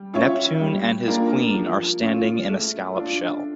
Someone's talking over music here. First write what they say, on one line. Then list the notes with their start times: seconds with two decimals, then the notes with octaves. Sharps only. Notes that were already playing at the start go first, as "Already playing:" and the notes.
Neptune and his queen are standing in a scallop shell.
Already playing: G3
0.13 C#4 F4 C#5 E5
0.60 G3
1.07 A#3 D4 F4 A#4
1.55 F3
2.01 C#4 F4
2.49 A3
2.96 D4 F4